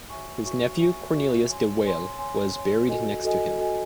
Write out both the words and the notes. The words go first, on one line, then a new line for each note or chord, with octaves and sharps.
His nephew Cornelis de Wael was buried next to him.
F#4 C#5 E5 G#5 C#6
F#4 C#5 E5 G#5 C#6
F#4 C#5 E5 G#5 C#6
F#4 C#5 E5 G#5 C#6
C#5 G#5 C6
C#5 G#5 C6
C#5 G#5 C6
C#5 G#5 C6
F#4 A4 D#5 G#5
F#4 A4 D#5 G#5
F#4 A4 D#5 G#5